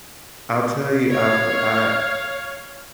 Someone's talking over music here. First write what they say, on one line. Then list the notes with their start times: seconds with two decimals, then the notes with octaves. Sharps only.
I'll tell you, I've I
1.11 C#5 F5